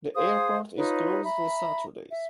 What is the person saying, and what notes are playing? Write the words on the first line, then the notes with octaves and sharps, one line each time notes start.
The airport is closed on Saturdays.
G#4 C5 F5 D#6
D#4 F4 B4 C#5
E5 A#5 B5
E5